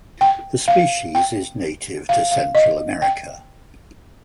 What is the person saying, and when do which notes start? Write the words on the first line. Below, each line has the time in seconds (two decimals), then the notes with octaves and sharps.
The species is native to Central America.
0.21 G5
0.68 F5
1.15 G5
2.09 F5
2.31 F5
2.55 D#5
3.02 G5